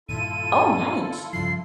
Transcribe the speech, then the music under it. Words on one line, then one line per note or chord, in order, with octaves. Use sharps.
oh, nice.
G2 A#2 D#3 E4 F4 A4 D#7
G2 C#3 F3 C7